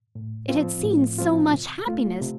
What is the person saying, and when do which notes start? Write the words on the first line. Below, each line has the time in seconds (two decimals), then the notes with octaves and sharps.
It had seen so much happiness.
0.15 A2
0.49 F3 C4 F4
0.83 A2
1.18 F3 C4 F4
1.52 C3
1.87 A3 F4
2.21 C3